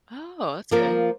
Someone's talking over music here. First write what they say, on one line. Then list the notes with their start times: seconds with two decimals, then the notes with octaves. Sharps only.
Oh, that's good.
0.71 F3 A#3 F4 A#4